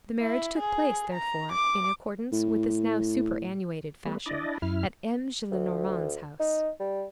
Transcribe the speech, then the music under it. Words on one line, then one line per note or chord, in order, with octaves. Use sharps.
The marriage took place, therefore, in accordance with this now superannuated fashion, at M. Gillenormand's house.
E4
G#4
A#5
D6
A2
G3 A3 B3
D4 E4 D5 D#5
F#2 E4 F6
D2
D#4
G3